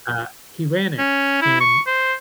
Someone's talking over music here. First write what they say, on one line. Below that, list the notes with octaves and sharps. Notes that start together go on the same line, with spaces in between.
uh, he ran it, and
C#4
E4
C#6
C5